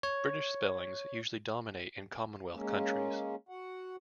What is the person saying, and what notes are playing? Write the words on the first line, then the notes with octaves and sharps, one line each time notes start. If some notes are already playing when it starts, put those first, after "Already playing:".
British spellings usually dominate in Commonwealth countries.
C#5
G#3 A#3 C#4
F#4 F#5